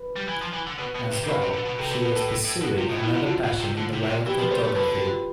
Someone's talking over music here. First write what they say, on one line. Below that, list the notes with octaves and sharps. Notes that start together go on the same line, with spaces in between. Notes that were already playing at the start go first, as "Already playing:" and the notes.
As well, she is pursuing another passion in the way of photography.
Already playing: B4
G3
E3
F3
E3
D3
B2 B4
B2
B4
C3
C3
B2 B4
C3
D3 B4
B2
C3 A4
C3 B4
B2 B4
A2 A4
A2
A2
B2
C3 F4
B2
A2
B2 E4
C3
D3 F4
B2
C3
D3
C3
B2
C3
E3 G4
F3 B4
G3 C5
A3 B4
D3 B4
G4
F4